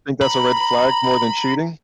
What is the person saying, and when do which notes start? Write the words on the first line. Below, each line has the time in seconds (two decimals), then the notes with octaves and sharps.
Think that's a red flag more than cheating?
0.21 A#5 B5